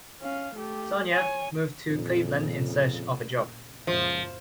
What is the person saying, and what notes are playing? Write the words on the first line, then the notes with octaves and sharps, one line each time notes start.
Sonia moved to Cleveland in search of a job.
C#4 F5
A3 G4
C#5 G#5
F2 A#2 C#3
F#1 C#2 A#2 F3